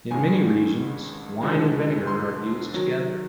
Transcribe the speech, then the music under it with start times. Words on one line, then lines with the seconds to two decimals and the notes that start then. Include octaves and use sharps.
In many regions, wine and vinegar are used together.
0.11 A1 G2 D#3 G#3 G#5
1.42 E1 D2 D3 F3 G#3
2.07 C6
2.74 D#3 F#3